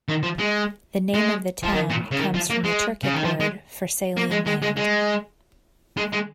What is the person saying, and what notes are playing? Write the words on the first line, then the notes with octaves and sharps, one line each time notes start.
The name of the town comes from the Turkic word for saline land.
D#3
F3
G#3
G#3
F3
D#3
A#2
C#3
D#3
F3
A#3
G#3
C#3
D#3
F3
G#3
A#3
G#3
G#3
G#3
G#3
G#3
G#3